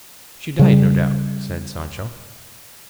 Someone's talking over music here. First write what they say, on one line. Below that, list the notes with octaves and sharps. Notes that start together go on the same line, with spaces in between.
"She died, no doubt," said Sancho.
C#3 G3